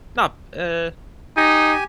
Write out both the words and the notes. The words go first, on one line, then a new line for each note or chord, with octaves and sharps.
not eh
D#4 G4 G#5